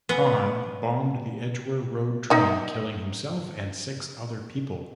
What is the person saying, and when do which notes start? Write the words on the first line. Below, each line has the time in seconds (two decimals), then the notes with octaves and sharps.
Khan bombed the Edgware Road train killing himself and six other people.
0.09 B3
2.30 D#4 E5